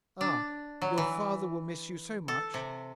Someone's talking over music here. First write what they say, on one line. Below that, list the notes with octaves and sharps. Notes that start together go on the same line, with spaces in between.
'Ah,--your father will miss you so much!
D4
F#3
E3
A4
C3